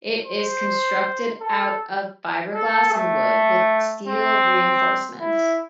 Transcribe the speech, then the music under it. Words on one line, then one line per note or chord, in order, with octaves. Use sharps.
It is constructed out of fibreglass and wood, with steel reinforcements.
C5
A4
A4
A3
C4
E4